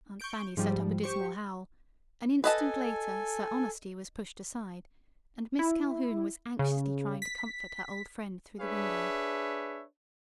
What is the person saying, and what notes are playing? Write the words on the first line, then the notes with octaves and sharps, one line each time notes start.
Aunt Fanny set up a dismal howl; an instant later Sir Honesty was pushed aside, and Miss Calhoun was anxiously trying to comfort her old friend through the window.
C#6 G6 D7
G#2 F3 G3
G4 C5 C#6
A4 B4 D#5 G#5 A5
E4
C#3
B6
D4 G#4 B4 C#5 E5